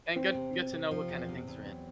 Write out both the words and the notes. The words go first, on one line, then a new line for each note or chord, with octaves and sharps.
and good good to know what kind of things you're in.
E2 C4
C3
C3
C3
F3
E2
C3
E2
F#3